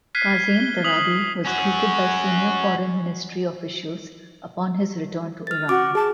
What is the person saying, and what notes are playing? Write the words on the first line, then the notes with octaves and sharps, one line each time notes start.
Kazem Darabi was greeted by senior Foreign Ministry officials upon his return to Iran.
F6 F#6 G#6 B6 C7 D#7
G7
D#6 B6 F#7
C#4 F#4
F6 A6
F#4 D6 F6
G#4 A5